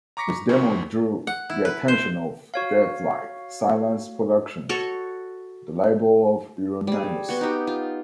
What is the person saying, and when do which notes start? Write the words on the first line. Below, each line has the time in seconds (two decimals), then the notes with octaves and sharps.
This demo drew the attention of Deathlike Silence Productions - the label of Euronymous.
0.17 A#5 C#6 D6 A#6 B6 C#7
0.49 C2 F2 G#2 D#3 C#4 C#6
1.27 F#5
1.50 E4
1.65 B4
1.88 C5
2.54 F#4 C#5 F5
4.69 F#4 A4 C#5
6.87 G3 G#4
7.29 B3 F#4
7.41 D#4 G4
7.67 F4